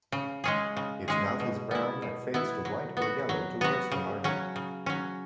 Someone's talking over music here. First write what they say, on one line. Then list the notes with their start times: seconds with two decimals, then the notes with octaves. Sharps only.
Its mouth is brown that fades to white or yellow towards the margin.
0.12 C#3
0.44 G#3 C#4 G#4
0.77 C#3
1.08 G#3 C#4 G#4
1.40 B2
1.71 B3 E4
2.02 B2
2.34 B3 E4
2.65 F#3
2.97 B3 F#4
3.29 F#3
3.61 B3 F#4
3.92 C#3
4.24 F#3 C#4
4.56 C#3
4.86 F#3 C#4